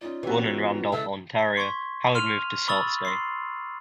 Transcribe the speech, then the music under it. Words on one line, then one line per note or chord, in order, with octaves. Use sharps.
Born in Randolph, Ontario, Howard moved to Sault Ste.
C#4 D#4 F4 D5
E3 B3 C#4 F#4 G4 A#4
C#3 E3 G#3 A4 E5 E6
C6 C#6 G#6 B6
C6 F6 D#7 F7
B5 C#6 D#6 E6 A6 F#7
C6 C7